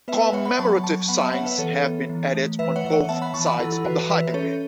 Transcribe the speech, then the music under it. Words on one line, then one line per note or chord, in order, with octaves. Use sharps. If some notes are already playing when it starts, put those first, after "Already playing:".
Commemorative signs have been added on both sides of the highway.
B3 B4 E5
B4 E5
B3 C#5 F#5
F#5 B5
F#3 A5 C#6
F#3 A5 C#6
B3 F#5 B5
E5 A5
B3 C#5 F#5
B4 E5
E3 A4 C#5
B3
E3
A3
E3 B4 E5
C#5 F#5
E3 E5
C#5 F#5
B3 E5 A5
F#5 B5
E3 A5 C#6
F#5 B5
E3 E4 A4
E4 A4
E3 F#4 B4
E3 B4 E5
C#4 A4 C#5